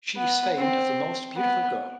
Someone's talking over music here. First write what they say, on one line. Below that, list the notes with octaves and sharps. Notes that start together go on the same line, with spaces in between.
She is famed as the most beautiful girl.
B3
C4
B3